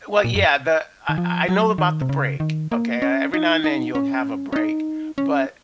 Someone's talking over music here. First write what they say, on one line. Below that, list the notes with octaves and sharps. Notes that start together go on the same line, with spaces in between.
Well, yeah, the I I I know about the break, okay? Uh, every now and then, you'll have a break. But
A#2
F#2
D#3
F3
F#3
D#3
C3
C#3
D#3
A#3
C#4
D#4
D#4
C#4
C#4
D#4
C#4